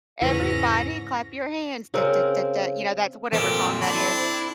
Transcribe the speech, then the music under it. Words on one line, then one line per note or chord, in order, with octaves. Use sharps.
"Everybody clap your hands, da da da da," you know, that's whatever song that is,
E2 G#2 C#3 C#4 E4 B4 A#6
C#3 C4 A#4
F2 A#2 C4 G4 A4 A#4 A5
D4 E4 B5